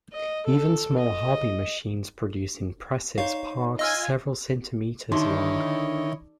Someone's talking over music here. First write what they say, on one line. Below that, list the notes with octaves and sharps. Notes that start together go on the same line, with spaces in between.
Even small hobby machines produce impressive sparks several centimeters long.
D#5
A4
D#5
D#4 C5 C#5 F5
F4 D#5 G#5 E6 F6
D3 D#3 D#4 E4 F#4 C#5 D#5 C6